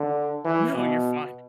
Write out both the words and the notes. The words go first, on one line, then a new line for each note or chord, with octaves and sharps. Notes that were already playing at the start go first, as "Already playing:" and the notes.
No, you're fine.
Already playing: D3
E3
B2